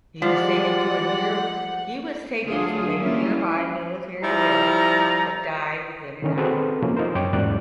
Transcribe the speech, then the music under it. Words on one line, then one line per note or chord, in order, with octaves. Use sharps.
He was taken to a nearby military barracks but died within an hour.
F3 G3 G#3 D5 F#5
D2 F#3 A3 D4 F4 G#4
G3 A#3 C#4 E4 F4
F3 G3 E4 A#5
D3 D#3 C#4
C4 F#4 G#4 A4 B4 C5
C3 F3 A#3 C#4
D#4 F4 A#4 C5
F#2 C#5 G5 D6
E2 G#2 F#3 C#4 D5 F#6